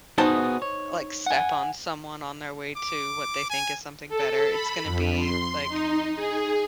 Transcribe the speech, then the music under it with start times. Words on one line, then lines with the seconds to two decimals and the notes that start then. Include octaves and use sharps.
like, step on someone on their way to what they think is something better. It's gonna be, like
0.18 B3 D#4 F#4 G#4 C5 A5
0.62 C#5
1.26 F#5 G#5
2.77 D6
3.50 G#5
4.09 A4
4.50 B5
4.84 F2
5.18 C6
5.69 D#4
6.16 G#4